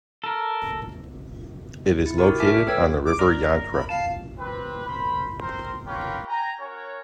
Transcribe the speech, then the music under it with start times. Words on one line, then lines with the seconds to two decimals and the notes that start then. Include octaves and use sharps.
It is located on the river Yantra.
0.24 A4 A#4
2.06 E4
2.18 E4 F#4 G4 A#4
2.40 E5 G#5 A5 D6 F6 B6
2.67 A4 B4 C#5 G5 E6 G#6
3.06 D6
3.19 A#4 D5
3.71 B5
3.89 F5 A5
4.38 C4 G4 B4
4.86 A#4 C5 B5
5.40 C4 A#4 C5
5.86 F4 G4 A#4 B4 C#5
6.28 G5 G#5 A#5
6.59 C#4 F#4 A#4 C#5